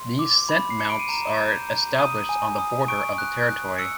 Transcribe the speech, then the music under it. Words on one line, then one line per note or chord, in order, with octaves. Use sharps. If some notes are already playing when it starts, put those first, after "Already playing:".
These scent mounts are established on the border of the territory.
Already playing: C6
D6
B5
C7
B5 C#7
D7
D#7
A#5 E7
G6
A#5
D#6 D#7
G#5
D#6
C#6 D7
F#6
F#6
E6 C#7